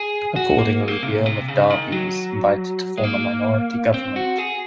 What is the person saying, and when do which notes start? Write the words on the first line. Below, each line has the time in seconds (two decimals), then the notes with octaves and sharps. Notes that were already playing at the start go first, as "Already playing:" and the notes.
Accordingly, the Earl of Derby was invited to form a minority government.
Already playing: G#4
0.36 F#4
0.59 A#3
0.81 G#3
0.88 C4
0.92 A#3
1.03 C3
1.14 A#2
1.26 C3
1.48 C#3
1.70 D#3
1.92 F#3
2.98 G#3
3.03 A#3
3.94 C4
4.16 F#4
4.38 G#4